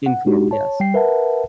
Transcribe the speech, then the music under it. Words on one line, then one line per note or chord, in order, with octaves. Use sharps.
Informed, yes.
F#5
G#3 D4 D#4 F#4 G4
C#5 A5
G3 G5 C7
A#4 B4 E5 F#5 A5